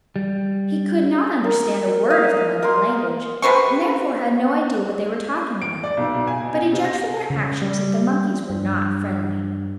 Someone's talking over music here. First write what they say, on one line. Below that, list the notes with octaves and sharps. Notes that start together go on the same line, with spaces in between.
He could not understand a word of the monkey language, and therefore had no idea what they were talking about; but he judged from their actions that the monkeys were not friendly.
G3
A#4
D#5 F5
A#4 C6
C3 B4 C5 C#6
D7
D5
B1
B1
G#5
B2
G#5
C3
A#6
C#3
G3
G2